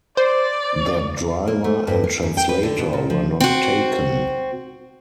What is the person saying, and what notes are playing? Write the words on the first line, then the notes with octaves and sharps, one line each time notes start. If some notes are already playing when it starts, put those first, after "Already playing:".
Their driver and translator were not taken.
C5 D5
A#3
A3
G2
A#3
F#2
G5
B4
D3
B2
A#2
F3
C4 F#4